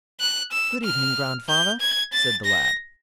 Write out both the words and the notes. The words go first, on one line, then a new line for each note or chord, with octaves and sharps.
'Good evening, grandfather!' said the lad.
F#6
E6
F6
G6
G#6
A6
A#6